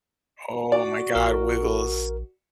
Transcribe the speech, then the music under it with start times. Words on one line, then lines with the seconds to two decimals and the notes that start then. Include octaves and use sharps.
Oh my god, Wiggles.
0.72 F#4 D5
1.15 A#1 A#4